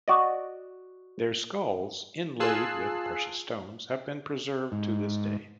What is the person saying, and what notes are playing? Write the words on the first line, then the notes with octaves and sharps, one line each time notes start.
Their skulls, inlaid with precious stones, have been preserved to this day.
F#4 D5 D#5
F4 G#4 A5 E6 F#6 C7
G#2